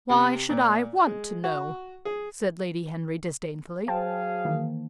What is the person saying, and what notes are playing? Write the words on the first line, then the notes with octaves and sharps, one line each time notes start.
"Why should I want to know?" said Lady Henry, disdainfully.
C3
A#2
G#3
F#4
G#4
F#3 G#4 C5 F5 G5 A5
D#3 E3 A#3